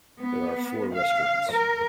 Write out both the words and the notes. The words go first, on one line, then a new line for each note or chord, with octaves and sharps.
There are four restaurants.
B3
F5
A#4